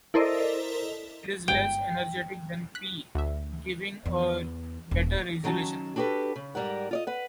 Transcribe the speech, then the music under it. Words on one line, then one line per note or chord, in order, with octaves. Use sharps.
It is less energetic than P, giving a better resolution.
E4 A4 A#4 C5 D5 D#5
G1 G#2 G5 D7
F#6 B6
D2 E5
E2
D#1
D#3 F#3 C#4 G#5 A5
D4 F#4 G4 A4 B4
C#3
G#2 E3 G3 A#4 F#5
F4 D5 D#5
B4 F#5